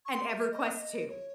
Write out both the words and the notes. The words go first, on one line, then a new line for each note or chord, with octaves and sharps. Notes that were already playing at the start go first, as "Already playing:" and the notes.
And EverQuest II.
C#6
C6
E5
D#5
E5
D#5
C#5